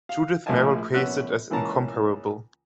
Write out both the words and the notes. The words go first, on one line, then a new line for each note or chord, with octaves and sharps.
Judith Merril praised it as "incomparable".
F5
A#1 A2 F4 D#5 G#5 A5
A#1 B3 C#4 F#5 E6 F#6
C#2 E3 A#3 C#4 A5 A#5